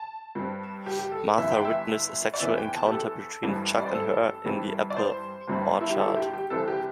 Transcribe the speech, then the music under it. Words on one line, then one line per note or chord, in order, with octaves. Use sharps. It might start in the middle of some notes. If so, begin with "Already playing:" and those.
Martha witnessed a sexual encounter between Chuck and her in the apple orchard.
Already playing: A5
G2 G3 C4
G4
G4
A4
G1 G2 E3 E5
G5
E5
D5
E2 E3 C4 E5
G5
A5
G4
A4
A1 G2 E3 G3 C4
D5
C5
A4
G2 E3 G3 C4
D5
C5
G1 G2 G3 C4
E4
G4
A4
E4
G4
G4
C2 C3 E3 C4 A4
G4